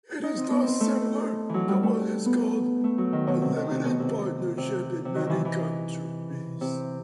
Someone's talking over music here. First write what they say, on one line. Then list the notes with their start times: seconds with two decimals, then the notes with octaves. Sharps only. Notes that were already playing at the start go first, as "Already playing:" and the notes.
It is thus similar to what is called a limited partnership in many countries.
0.23 D#4
0.37 C4
0.50 B3
0.63 C4
0.80 A3
1.49 E3 F#3
1.68 G3
1.83 A3
2.26 B3
2.84 A3
2.98 F#3
3.13 D#3
3.27 B2
3.42 C3
3.56 D#3
3.71 C3
3.85 B2
4.00 C3
4.58 C3
5.05 C3
5.15 D#3
5.26 D#3 E3
5.45 E3
6.61 C3